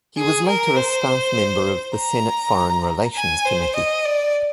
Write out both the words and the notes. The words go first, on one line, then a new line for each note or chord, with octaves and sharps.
He was later a staff member of the Senate Foreign Relations Committee.
G#4
A#4
C5
A#5
G#5
C5
D#5
D5